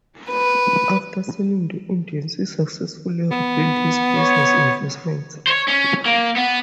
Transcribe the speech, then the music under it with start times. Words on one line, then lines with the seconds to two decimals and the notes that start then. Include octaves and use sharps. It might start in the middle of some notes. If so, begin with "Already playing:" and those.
After selling the Indians he successfully rebuilt his business investments.
0.30 B4
3.31 B3
4.16 C#5
5.47 C5 C#5
5.68 C#4
6.06 A#3
6.36 B3